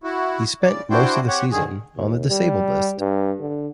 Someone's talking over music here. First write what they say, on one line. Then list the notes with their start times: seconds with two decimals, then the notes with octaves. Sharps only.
He spent most of the season on the disabled list.
0.04 E4 F#4
0.62 C#3 D5
0.90 D4 E4 F#4 C5 G5
1.28 C4 G4 C#5 F#5
1.51 D3 D#3 G#4
1.97 D#2
2.29 G3
2.99 G2
3.40 D3